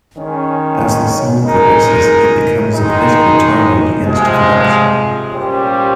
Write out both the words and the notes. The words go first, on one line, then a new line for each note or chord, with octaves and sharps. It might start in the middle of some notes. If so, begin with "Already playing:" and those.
As the song progresses, it becomes a political tirade against corruption.
D#3 G#3 C#4
G#3 D#4 A#4
D#3 G#3 D#4
C3 F3 G#3
A#2 G3 C#4 G4 C5